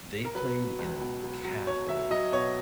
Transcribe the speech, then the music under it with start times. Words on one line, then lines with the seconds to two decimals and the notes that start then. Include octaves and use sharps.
they played in a cafe
0.25 A#4
0.35 F#3 B4
0.58 B2
0.79 C#2
1.01 B2
1.24 F#3
1.45 F#3
1.67 F#3 C#5
1.88 F#3 E5
2.11 F#3 D#5
2.32 B2 C#5